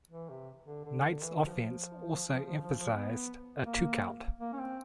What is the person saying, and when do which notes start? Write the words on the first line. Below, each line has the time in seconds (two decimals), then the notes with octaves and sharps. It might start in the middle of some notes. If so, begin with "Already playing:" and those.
Knight's offense also emphasized a two-count.
0.11 E3
0.30 C3
0.66 D3
0.85 D3
1.05 D3
1.22 E3
1.42 F3
2.91 B3
3.65 A#3
4.40 A#3
4.53 C#4
4.59 C4